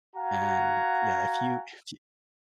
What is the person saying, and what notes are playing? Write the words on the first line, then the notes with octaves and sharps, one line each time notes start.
and, yeah, if you y
F#4 F5 F#5 G#5 A#5